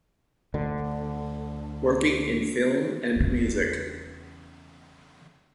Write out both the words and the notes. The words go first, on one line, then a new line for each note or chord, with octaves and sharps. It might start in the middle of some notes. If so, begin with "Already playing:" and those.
Working in film and music.
D2 D3
E2 C#3